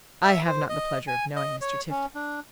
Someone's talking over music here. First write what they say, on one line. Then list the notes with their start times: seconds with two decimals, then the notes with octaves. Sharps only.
"I have not the pleasure of knowing Mr. Tifto."
0.23 E5
0.47 C5
0.69 D#5
1.08 G#5
1.36 D#5
1.61 C#5
1.90 C#4
2.15 D4